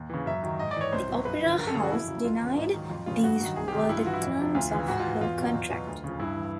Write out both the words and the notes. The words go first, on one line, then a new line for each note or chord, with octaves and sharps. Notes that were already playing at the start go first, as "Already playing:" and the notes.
The opera house denied these were the terms of her contract.
Already playing: D#2
C#3 E3
F#2 E5
D#3 F#3
G#2 D#5
D5
E3 C#5
C2 C5
B2 F#3
G2 B4
D3 F3
F#2 A#4
A4
C#3 G#4
E3 F#4
F2 E4
C#3 F#3
C#2 F4
C#3 E3
G#2
D#3 F#3
F2 F4
C#3 E3 F4
G2 F#4
D#3 F#3
C2 G#4
G4
C3 D#3
G4
G2 E4
F4
E3 F#4
E4
F2
C3 F3
D2 F4
C#3 E3
G#2 F#4
F4
E3
E2 F4
B2 F#3
E2
B2 F#3
D2
C#3 F3
G2 E4
E3